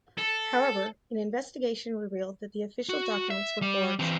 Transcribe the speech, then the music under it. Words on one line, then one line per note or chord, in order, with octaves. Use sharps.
However, an investigation revealed that the official documents were forged.
A4
F#4
E5
G3
E3 C4